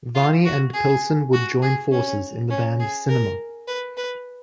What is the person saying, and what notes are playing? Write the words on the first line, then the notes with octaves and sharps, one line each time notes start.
Varney and Pilson would join forces in the band Cinema.
F4
F#4
G#4
F#4
G#4
C#4
C#4
G#4
A#4
B4
B4